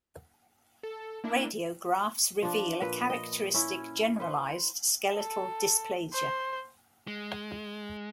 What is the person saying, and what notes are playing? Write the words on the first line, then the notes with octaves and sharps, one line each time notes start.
Radiographs reveal a characteristic generalised skeletal dysplasia.
A4
A#3 D4 E4
F3 D4
A#2 B4
D#5
C#4 E4
B4 C5
A4
C5
G#3